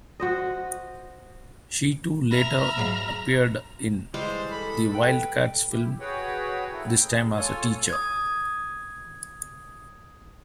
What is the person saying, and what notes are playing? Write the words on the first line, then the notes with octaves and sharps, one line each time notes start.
She too later appeared in "The Wildcats" film, this time as a teacher.
F#4 C5 D#5
E5 A#5 B5 F6
G#2 F#3 F5
E3 G3 G#3 C5 F5
A4 B5
B4 G5
E4 G4
F#4 G#4 B4 C#5 F#5 G5
A#3 E4 A4
G5
A2 C3 G#4
F4 A4 C#5 G#5
D#6 G#6